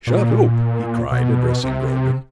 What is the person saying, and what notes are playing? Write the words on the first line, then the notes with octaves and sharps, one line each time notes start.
"Shut oop!" he cried, addressing Grogan.
A#2
B2
C3